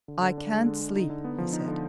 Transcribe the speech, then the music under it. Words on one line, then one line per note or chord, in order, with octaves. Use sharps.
"I can't sleep," he said.
D3
D3
D4
G#3
D3
D3
D#4
D3
B3
F3
D#4
D3